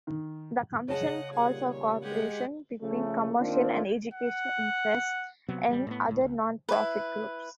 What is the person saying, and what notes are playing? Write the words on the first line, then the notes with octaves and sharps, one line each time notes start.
The Commission called for cooperation between commercial and educational interests and other non-profit groups.
D#3
C#3 G#4 D#5 F#5 A5
D#2 A#2 G3 G#4 F#5
C#5
G#3 G4 G#4 F#5
C#3 F3 A3
D#3 A#3 C4 D4 F4
F#5
C3 F#3 B3
A1 G3
A2 B3
C#2 A2
C#2
E4 B4